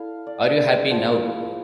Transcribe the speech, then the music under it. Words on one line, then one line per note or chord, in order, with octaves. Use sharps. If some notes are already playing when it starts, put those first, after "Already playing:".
Are You Happy Now?
Already playing: E4 A4 F5
D5
G#3
F3
E4